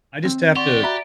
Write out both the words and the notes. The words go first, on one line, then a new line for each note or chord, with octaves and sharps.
I just have to
D#2 C4
G4 D5 F#5 C6 C#6
F#4 E5 F#5 A#5 B5